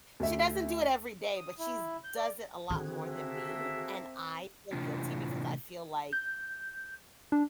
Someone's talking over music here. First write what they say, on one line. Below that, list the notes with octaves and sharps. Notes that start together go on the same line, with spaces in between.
She doesn't do it every day, but she's does it a lot more than me. And I feel guilty because I feel, like,
D2 E5
D#6
E4
G6
D5
D3 D#3 C4 F#4 G#4
A#3 A4 E5
A2 C3 E3 D4 F4
G6
D4